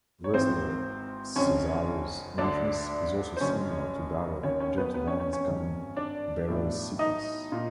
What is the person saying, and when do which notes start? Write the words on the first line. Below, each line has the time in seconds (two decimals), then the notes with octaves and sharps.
Wrestler "Cesaro"'s entrance is also similar to that of James Bond gun barrel sequence.
0.24 C#5
0.34 G#1 G#2 E3 C4 C5
1.36 F#1 F2 D3 C#4 C#5
2.38 D2 D3 D4 D5
3.37 C5
3.41 F#1 F#2 D3 C#4 C#5
4.43 D#2 D#3 C#4 C#5
4.60 C#4 C#5
4.78 B3 B4
4.94 B3 B4
5.07 C#4 C#5
5.20 C#4 C#5
5.33 C#4 C#5
5.45 G#1 G2 D#3
5.97 D4 D5
6.48 B1 A2 E3
6.99 D#4 D#5
7.52 A#2